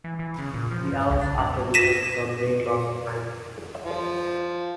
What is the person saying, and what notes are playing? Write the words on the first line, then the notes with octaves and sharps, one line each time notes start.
The hours after the wreck saw great loss of life.
E3
E3
C#3
A#2
F3
G2
C2
D4
G2
A#6 B6 D#7 E7
F3